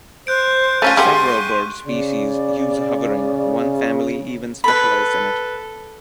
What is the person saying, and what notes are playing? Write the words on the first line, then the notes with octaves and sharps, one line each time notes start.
Several bird species use hovering, one family even specialized in it.
C5 F#6 G6 D7
A3 C#4 F4 C#6 A6 B6 D#7
G#3 G4 F#5 C6
C#3 D5
A4 B4 B5